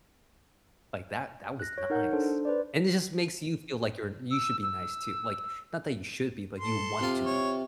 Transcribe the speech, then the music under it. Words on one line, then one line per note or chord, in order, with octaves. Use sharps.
like, that that was nice, and it just makes you feel like you're you should be nice too, like, not that you should be, but you want to be,
F#6 A#6
C#5
D#4 A#4 F#5 G6
D4 A4 C5
B4 C5 D5
E6
E6
A4 C6
C3 F4
C#5